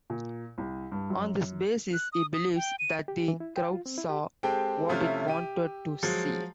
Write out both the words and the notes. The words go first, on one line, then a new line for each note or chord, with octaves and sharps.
On this basis, he believes that the crowd saw what it wanted to see.
A#2
C2
G2
F#2
F#6
D#6
D#6
G5
D#7
G4
E3
E4
G5
F4
C4
E4
G4
G#3 C4 G4 A4 G5
C3 F3 A3 C#4 E4 F4
G4 D#7
F3 F#3 G#3